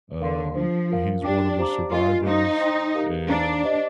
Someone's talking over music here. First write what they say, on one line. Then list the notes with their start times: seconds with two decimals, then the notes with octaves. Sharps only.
um, he's one of the survivors, and
0.20 D3 A#4 F5 C6
0.55 F3 D4 G#4 C5
0.89 F4 A#4 F5
1.24 D4 G4 D5 G5 D6
1.58 G4 C5 F5 A#5 D6
1.92 F4 A#4 D#5 G#5
2.26 D#4 C5 F5 C6
2.60 C5 G5 C6
2.95 G4 A#4 F5
3.29 D4 D#4 G#4 C5 F5 A#5
3.64 G4 C5 D#5